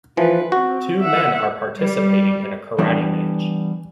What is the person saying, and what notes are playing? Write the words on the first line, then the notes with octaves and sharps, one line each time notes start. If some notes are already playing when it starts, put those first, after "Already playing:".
Two men are participating in a karate match.
E3 F3 F4 B4
C4 F#4
E5 F#5
G3
E3 G3 B3 D4